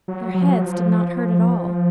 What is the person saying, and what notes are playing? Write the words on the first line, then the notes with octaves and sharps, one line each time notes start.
Their heads did not hurt at all.
F#3
F#3
F3
F#3
F3